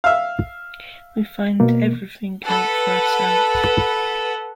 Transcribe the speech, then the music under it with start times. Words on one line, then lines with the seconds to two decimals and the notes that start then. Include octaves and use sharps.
We find everything out for ourselves.
0.04 E5 F5
1.60 B2 A#3
2.47 A4 B4 F#5